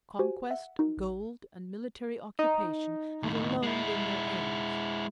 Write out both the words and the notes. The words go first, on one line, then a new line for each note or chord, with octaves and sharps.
Conquest, gold, and military occupation had alone been their aims.
F#4 G4 C5 G#5
E5 F#5
D#4 F#4 A#4
A1
D#4
D#2 A2
G#3 E4